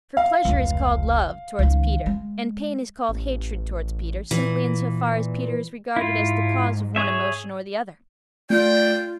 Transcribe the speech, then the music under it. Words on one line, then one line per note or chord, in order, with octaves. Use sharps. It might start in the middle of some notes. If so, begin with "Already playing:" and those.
For pleasure is called love towards Peter, and pain is called hatred towards Peter, simply in so far as Peter is regarded as the cause of one emotion or the other.
F5
F1 C#2
C#2 D#3
G#3
A1
A#2 E3
G#2 E4 F4
G#4 C#5 E5
A3 F4 D5 G5